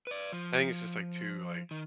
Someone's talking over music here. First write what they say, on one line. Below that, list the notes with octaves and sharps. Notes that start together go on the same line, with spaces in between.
I think it's just, like, too, like
B4 D5
F3
D#3